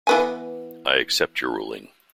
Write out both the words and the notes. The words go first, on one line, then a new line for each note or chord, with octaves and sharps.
I accept your ruling.
E3 B3 G#5